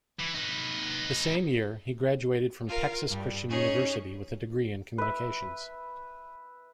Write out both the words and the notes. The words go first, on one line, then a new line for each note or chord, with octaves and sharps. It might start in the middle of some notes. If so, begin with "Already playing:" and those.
The same year, he graduated from Texas Christian University with a degree in communications.
E3
D#4 B4
F4 A#4 F5
G2 G3
C#4 D#4 G#4 C#5
B4 E5